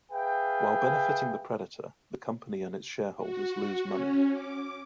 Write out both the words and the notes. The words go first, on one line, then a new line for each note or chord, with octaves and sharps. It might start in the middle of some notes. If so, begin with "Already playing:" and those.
While benefiting the predator, the company and its shareholders lose money.
G#4 B4 E5 F5 G5
F#4
C#4
D6